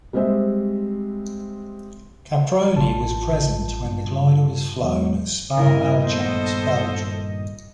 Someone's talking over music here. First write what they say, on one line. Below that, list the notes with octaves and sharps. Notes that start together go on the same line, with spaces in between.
Caproni was present when the glider was flown at Spa-Malchamps, Belgium.
G3 G#3 C4 G4 C5 E5
A1 F4 A5
G2
E2 F#3 G#3
G2 A#2 D#3 E4 A#4 D#5
B3 A4 C5